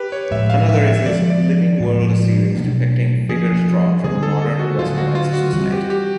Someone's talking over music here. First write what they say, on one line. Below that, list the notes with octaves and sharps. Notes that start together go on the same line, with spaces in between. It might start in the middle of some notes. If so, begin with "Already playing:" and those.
Another is his "Living World" series, depicting figures drawn from a modern, westernized society.
Already playing: G4 B4
C#5
A2 F3 G#3 E5
F5
E5
E5
F3 G#3 B3 D5
D5
A2 F3 G#3 B3
B2 F#3 A#3 D4
F3 A#3 C#4 G#4
D3 G3 C4 G#4
A4
A4
F#4
D3 F#3 A3 F4
F#4
F4
F#4
E3 G3 C4 F#4
G4
G4